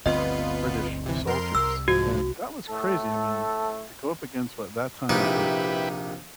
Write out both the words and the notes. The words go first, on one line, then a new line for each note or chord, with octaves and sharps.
British soldiers, and that was crazy. I mean, to go up against what that time was the
G1 D2 B3 C4 F4 B4 D#5
C3 E3
F2 A#4 C6
C2 E6
G#2 F3 F#4
A2 A3 A4
A#1 C3 D#4 E4 G4 B4